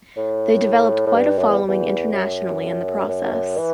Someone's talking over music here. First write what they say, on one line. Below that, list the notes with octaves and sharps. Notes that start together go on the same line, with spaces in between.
They developed quite a following internationally in the process.
A2
A2
G2
F#2
E2
E2
F#2
F#2
F#2
E3